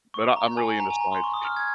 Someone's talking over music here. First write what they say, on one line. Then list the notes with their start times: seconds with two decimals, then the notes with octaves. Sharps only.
But I I'm really into science.
0.14 C#6
0.36 A#5
0.57 G#5
0.80 A#5
0.90 G#5
1.01 A#5
1.12 C6
1.24 C#6
1.34 D#6
1.45 F6
1.56 G#6